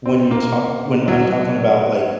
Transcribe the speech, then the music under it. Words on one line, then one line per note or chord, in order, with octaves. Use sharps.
when you talk when I'm talking about, like,
C4
A#3
F#3